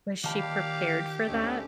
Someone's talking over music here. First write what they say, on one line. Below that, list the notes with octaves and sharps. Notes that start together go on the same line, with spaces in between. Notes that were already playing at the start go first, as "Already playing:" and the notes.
Was she prepared for that?
A#2 D#3 G4 D5 F5 A5 B5
D2 G#3 A3 C#4